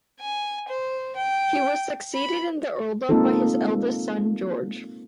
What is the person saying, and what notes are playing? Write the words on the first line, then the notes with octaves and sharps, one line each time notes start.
He was succeeded in the earldom by his eldest son, George.
G#5
C5
G5
B5
G#3 A#3 C4 D#4 F4 A4